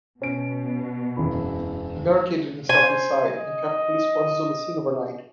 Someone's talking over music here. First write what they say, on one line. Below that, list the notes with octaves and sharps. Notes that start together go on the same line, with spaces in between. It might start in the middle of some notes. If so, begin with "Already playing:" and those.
He barricaded himself inside and kept police forces on scene overnight.
B2 C#4 D7
E1 F#2 E4
C5 G#5
D#5